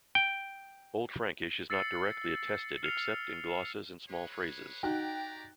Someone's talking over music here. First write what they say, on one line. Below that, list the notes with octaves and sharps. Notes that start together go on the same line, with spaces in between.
Old Frankish is not directly attested except in glosses and small phrases.
G5
E6 A6 C7 C#7
F6 C7 C#7 F7
G#4 B4 C#5
D#4 F#4 G4 D5 G5 A#5 F#6